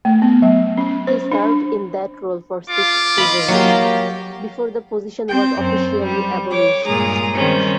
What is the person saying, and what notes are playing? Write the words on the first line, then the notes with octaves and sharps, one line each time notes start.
He served in that role for six seasons, before the position was officially abolished.
A3
B3
F#3
C#4
C5
D4
F4 D6
D#5 F5 B5
F#3 A#3 G4
C4 G5
F#2 C4
G3
C#5 D6
G2 A#2 G#3 G#4 A#5 D#6
D#3 G3 C4 C#4